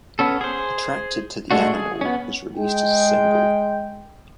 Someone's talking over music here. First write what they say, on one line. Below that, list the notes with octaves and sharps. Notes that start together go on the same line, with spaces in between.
"Attracted to the Animal" was released as a single.
B3 C#4 A4
G#4 C5
G#3 A3 D4 F#4
G#4
B3 C#4
G#3 G5